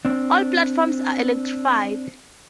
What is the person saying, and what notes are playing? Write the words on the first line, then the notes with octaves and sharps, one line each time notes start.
All platforms are electrified.
C4 D4